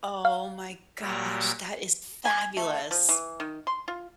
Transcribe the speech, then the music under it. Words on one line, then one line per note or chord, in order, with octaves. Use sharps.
Oh my gosh, that is fabulous!
F5
A#2 F#3 G3
G#5
A3
F3
E3
D#3
C6
F4